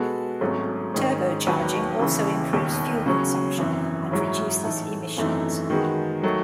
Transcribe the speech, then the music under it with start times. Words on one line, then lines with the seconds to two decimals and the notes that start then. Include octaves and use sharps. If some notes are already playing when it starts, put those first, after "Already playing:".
Turbocharging also improves fuel consumption and reduces emissions.
Already playing: B2 G#3 B3 F#4 A4
0.41 G#1 G#2 F#3 A3 C#4
0.93 G#2 D#3 G#3 C#4
1.47 E1 D#2 D#3 F#3 B3
1.99 D#2 C#3 E3
2.53 E1 D#2 D#3
3.06 C#3 F#3 C#4
3.58 G#1 F#2 E3
4.11 G#2 F#3 C#4 E4
4.64 A2 E3 A3 D#4 A4
5.17 G#1 F#2 E3 A3 D#4
5.70 D#3 G#3 B3 F#4
6.23 D#3 F#3 A3